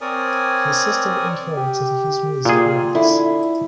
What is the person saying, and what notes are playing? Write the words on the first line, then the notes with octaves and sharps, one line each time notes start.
His sister inherited his music rights.
C4 A#4 C#5 D5 G#5 D#6
G4
A#2 F4 G#4
D3 E4